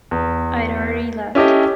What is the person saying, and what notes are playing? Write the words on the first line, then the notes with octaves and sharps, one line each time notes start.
I’d already left.
E2
C#4 E4 G4 A4 D#5